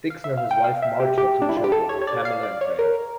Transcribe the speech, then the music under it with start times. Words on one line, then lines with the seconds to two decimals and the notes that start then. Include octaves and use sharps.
Dixon and his wife Marge had two children; Pamela and Greg.
0.10 F5
0.24 E5
0.37 F5
0.51 G5
0.64 F5
0.82 E5
1.00 G4
1.18 G4
1.42 D4
1.49 E4
1.57 F4
1.64 G4
1.72 A4
1.89 C#5
2.02 C#5
2.07 D5
2.25 F5
2.43 D5
2.61 C#5
2.79 A#4